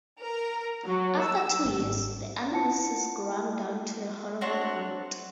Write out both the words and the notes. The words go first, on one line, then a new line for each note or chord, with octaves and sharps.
After two years, the analysis ground down to a horrible halt'.
A#4
F#3
E6
G#1
E4 F4 F#5 A5 C#7
C4 D4 F#4 C#5